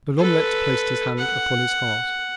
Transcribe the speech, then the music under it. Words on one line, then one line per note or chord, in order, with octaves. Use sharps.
De L'Omelette placed his hand upon his heart.
A4 B4
F#5